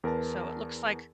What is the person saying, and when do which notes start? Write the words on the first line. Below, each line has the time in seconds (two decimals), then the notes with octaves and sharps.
so, it looks like
0.04 E2 A#4 B4 A5